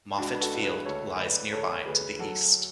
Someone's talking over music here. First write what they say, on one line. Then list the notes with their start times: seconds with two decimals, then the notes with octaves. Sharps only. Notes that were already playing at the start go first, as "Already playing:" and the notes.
Moffett Field lies nearby to the east.
0.18 C#2 D4 F#4
0.35 B4
0.41 F#4 A4
0.52 C#2
0.62 G#4 B4
0.85 D2 A4 C#5
1.19 D2 B4 D5
1.52 D2 A4 C#5
1.85 D2 G#4 B4
2.19 F#3 F#4 A4